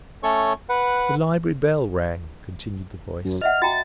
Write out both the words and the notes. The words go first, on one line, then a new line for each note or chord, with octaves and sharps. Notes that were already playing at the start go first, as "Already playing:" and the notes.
"The library bell rang," continued the voice.
A3 C#4 A4 C#5 C#6
B4 F#5
F#2
D#5 E5 F#5 F6
F#4 G5 A#5 A6